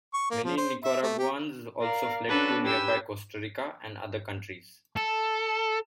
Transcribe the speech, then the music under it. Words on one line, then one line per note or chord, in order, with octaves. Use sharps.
Many Nicaraguans also fled to nearby Costa Rica and other countries.
C#6
A#3
F3
C5
E5
A3
G4
A#4 D5 F5
C#4 D4 F#4 A4 B4
G4 B4 G#5 E6 G6
A4